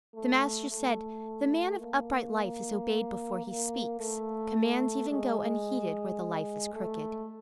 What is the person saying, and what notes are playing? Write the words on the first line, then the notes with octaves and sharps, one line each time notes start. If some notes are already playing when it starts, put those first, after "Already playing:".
The Master said, The man of upright life is obeyed before he speaks; commands even go unheeded when the life is crooked.
A3
A3
A#3
A#3
A3
G#3
A3